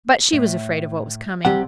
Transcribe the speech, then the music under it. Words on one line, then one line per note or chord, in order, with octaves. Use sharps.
But she was afraid of what was coming.
A2
C2 C3 G3 G4 F#5